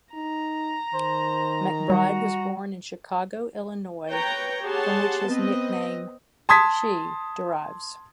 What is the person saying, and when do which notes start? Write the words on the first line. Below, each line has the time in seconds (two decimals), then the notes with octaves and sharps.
McBride was born in Chicago, Illinois, from which his nickname, Chi, derives.
0.14 D#4 A#5
0.94 D#3 C5
1.90 G3 F#4
4.10 B4 C#5 G5 A#5
4.64 G4 G#4 C#5 F#5 A5 C6
5.26 B3 C4 B4 D#5
6.49 A5 C6 D#6 G#6 B6